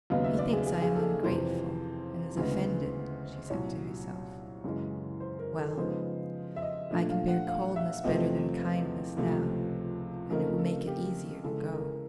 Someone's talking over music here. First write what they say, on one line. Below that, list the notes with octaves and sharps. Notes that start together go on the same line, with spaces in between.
"He thinks I am ungrateful, and is offended," she said to herself. "Well, I can bear coldness better than kindness now, and it will make it easier to go."
D#2 C#3 F#3 B3 D#4 F5
E5
D5
G#4
G#4
G#4
A4
F2 C3 E3 C5
D2 C#3 E3 G#3 B3
C2 A#2 F#3 C#5
F#2 C#3 E3 G#3
C5
A#4
A4
C#3 F3 G#3 B3 D#4 C5
E5
D#5
A#2 F3 A3 D4
F5
F#5
F5
E5
E2 C3 F3 A3 C4 D#5
C#2 C3 F3 A3
C#3 F3 A3 C4 D#4 A#4
A4
G4
C#3 E3 G#3 A4
A#4